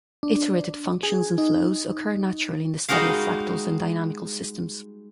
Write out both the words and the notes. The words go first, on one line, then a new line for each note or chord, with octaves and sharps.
Iterated functions and flows occur naturally in the study of fractals and dynamical systems.
D4
G#4
D#4
G3 G#3 D#4 F#4 A#4 F5